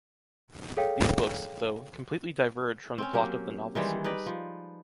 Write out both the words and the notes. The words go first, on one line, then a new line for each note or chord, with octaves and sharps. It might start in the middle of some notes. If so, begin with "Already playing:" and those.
These books, though, completely diverge from the plot of the novel series.
G#4 A4 C#5 F5 G5
C4 C#4
F#3 A#3 G4
D#3 E3 G3 G#3
D#4 B4 D5 D#5
F3